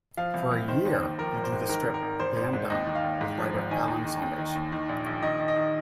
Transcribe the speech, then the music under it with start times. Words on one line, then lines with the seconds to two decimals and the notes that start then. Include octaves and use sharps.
For a year he drew the strip "Dan Dunn" with writer Allen Saunders.
0.17 F3 F5
0.34 C2
0.51 C2
0.68 D#3 C5
0.85 D#2
1.02 D#2
1.18 F3 A#4
1.35 G#1
1.44 C5
1.52 G#2
1.69 D#3 A#4
1.85 G#1
1.94 A#4
2.02 G#1
2.19 G#1 C5
2.36 G#1
2.53 G#2
2.70 D#2 D#5
2.87 D#3
2.95 F5
3.04 D#2
3.21 G#2
3.38 F3
3.54 G#1
3.71 D#3 G#5
3.88 D#2
4.04 D#3
4.22 D#2
4.38 D#3
4.55 D#2
4.72 D#3
4.89 A#1
5.06 A#1
5.22 D#3 D#5
5.39 D#3
5.48 D#5
5.56 D#3